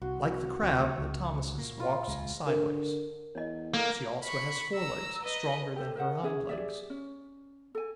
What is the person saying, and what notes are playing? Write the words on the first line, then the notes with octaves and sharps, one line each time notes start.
Like the Crab, the Thomisus walks sideways; she also has forelegs stronger than her hind-legs.
C2 F#4 C6
E1 D2 C4 G#5 C#6
C#2
A#2 A#3
F4 B5
D#1 C#2 G#3
D3 A#4
E2 C#5 D#5
A#3 A4
B5 C#6
A#5 E6
B4 D#5
G4 A4 C5
A#4 C5 E5 F#5
C#4 G#4 E5
G4 G#4 D5 E5
C#4
A4 G#5